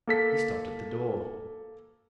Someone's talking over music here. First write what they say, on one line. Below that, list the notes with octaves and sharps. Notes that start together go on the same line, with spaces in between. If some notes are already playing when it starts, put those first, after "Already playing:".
He stopped at the door.
A#3 A4 B6